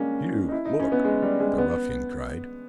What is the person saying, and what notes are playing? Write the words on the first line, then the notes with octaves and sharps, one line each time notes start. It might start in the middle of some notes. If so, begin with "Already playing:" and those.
"You, look!" the ruffian cried.
Already playing: G3 G#3 A#3 C#4
D#4
E4
D#4
C#4
B3
G#3
G3
G#3
B3